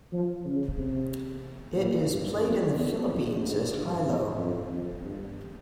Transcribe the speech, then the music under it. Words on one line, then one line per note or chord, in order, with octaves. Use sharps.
It is played in the Philippines as hi-lo.
F3
C#3
C3
A#2
G2
F2
E2
F2
G#2
G2
E2
F2
F2
G2